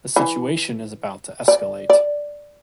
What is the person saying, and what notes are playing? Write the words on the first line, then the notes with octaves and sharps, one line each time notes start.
The situation is about to escalate.
E3
D5
D5